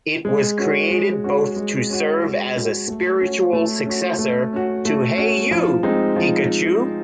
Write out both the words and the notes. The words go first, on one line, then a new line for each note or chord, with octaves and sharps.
It was created both to serve as a spiritual successor to Hey You, Pikachu!
G#3
C#4 F#4
G#3
C#4 F#4
G#3
C#4 F#4
G#3
C#4 F#4
A3
C#4 F#4
A3
C#4 F#4
A3
C#4 F#4
A3
C#4 F#4
F3
G#3 C4 D#4
F3